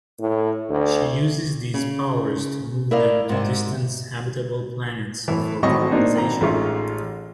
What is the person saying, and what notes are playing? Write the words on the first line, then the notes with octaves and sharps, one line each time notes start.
She uses these powers to move them to distant habitable planets for colonization.
A2
D2
C#3
E4 A#4 D5 D#5 F5
G#2 C3
A2 E3
G#1 A2 F#3 D#5 C#6
A#3 C4 D4 D#4
G#1 A#5
A1 G#3 D#4 F4 E5 C#6